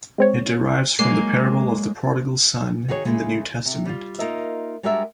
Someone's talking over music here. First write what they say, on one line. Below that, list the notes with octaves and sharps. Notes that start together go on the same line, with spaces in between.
It derives from the Parable of the Prodigal Son in the New Testament.
G#3 C4 C#5
F#3 G#3 A#3 C7
D#3 F#4 G#4 B4 C#5
C#3 G#3 A3
C3
G3 F4
A#3 D#4 F4 A#4 D#5 E5
G3 G#3 D4 F#4 A#4 E5